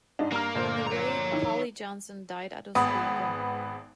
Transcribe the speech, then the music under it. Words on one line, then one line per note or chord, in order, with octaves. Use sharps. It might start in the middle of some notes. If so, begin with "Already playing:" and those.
On the way, Polly Johnson died at Oswego.
G#2 D4 D#4
G2 A#3 A#5 F6
G1 A#2 C5
C#5 A#5
D#3 E4
G#1 B3 B5 D#6